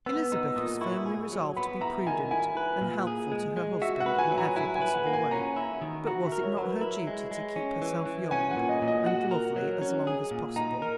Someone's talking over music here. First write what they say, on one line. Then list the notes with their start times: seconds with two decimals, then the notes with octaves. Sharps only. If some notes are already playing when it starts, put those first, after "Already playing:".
Elizabeth was firmly resolved to be prudent and helpful to her husband in every possible way; but was it not her duty to keep herself young and lovely as long as possible?
0.06 B3 E6
0.32 D#4 E6
0.56 A#2 D#6
0.81 E4 C#6
1.06 G#4
1.32 F#3
1.57 B3 B5
1.81 E4 A#5
2.07 D#3 G#5
2.31 E4 G#5
2.57 B4
2.81 A#2
3.07 G#4
3.32 G#3
3.57 G#3
3.82 F#4 E5
4.00 F#5
4.06 B4
4.19 G#5
4.31 F#3
4.38 A#5
4.56 E4 G#5
4.75 G#5
4.82 B4
4.94 F#5
5.06 A#3
5.13 G#5
5.31 C#4 A#5
5.56 E4
5.82 D#3
6.06 F#4 A#5
6.26 E5
6.32 A#4
6.44 C#5
6.57 F#3
6.63 B4
6.81 E4 A#4
7.07 G#3
7.31 G#3
7.56 C#4
7.82 E3
8.06 E3
8.31 C#4 G#5
8.51 F#5
8.57 A#2
8.69 D#5
8.82 A#2
8.88 D#5
9.06 F#4 F#5
9.31 A#4
9.56 F#3
9.82 C#4
10.07 G#4
10.31 A#2
10.56 D#4 A#5
10.82 A#4